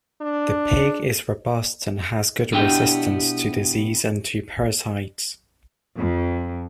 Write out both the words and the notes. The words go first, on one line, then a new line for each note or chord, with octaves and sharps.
The pig is robust and has good resistance to disease and to parasites.
D4
B2 B3 D4 E4 G4 G5
F2